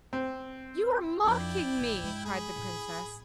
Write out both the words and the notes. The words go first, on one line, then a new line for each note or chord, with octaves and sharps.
"You are mocking me!" cried the princess.
C4
F2 D4 E4 D5 G5
A#1 E3
G2 G#3
G#4 B5
A2